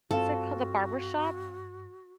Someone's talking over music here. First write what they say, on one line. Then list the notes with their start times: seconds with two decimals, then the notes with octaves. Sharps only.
what's it called, The Barbershop?
0.11 G2 C4 F4 F#4 A4 F5